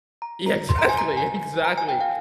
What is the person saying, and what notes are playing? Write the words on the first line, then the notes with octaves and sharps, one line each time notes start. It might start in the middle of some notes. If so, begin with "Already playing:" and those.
Yeah, exactly. Exactly,
A#5
A#5
C6
A#5
G#5
A#5
G#5
A#5
G#5
G5
F5